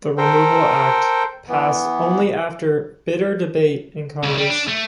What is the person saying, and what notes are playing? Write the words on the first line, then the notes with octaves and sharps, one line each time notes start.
The Removal Act passed only after bitter debate in Congress.
A4 A#4 C5 G5
E3 B3
C2 C#3
G3
D4
A3